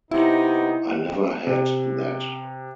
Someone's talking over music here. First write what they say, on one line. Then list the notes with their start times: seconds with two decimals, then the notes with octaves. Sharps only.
I never had that.
0.11 C3 B3 D#4 E4
1.47 C3